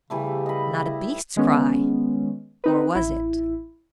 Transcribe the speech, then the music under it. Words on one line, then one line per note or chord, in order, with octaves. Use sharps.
Not a beast's cry--or was it?
C#3 E3 G3 A3
D#5 B5
E4
D#3 G#3 B3 C#4
C4 D#4 B4
A1 E4